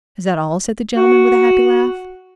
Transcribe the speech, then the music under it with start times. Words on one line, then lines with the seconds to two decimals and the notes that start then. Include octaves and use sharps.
"Is that all?" said the gentleman with a happy laugh.
0.97 F#4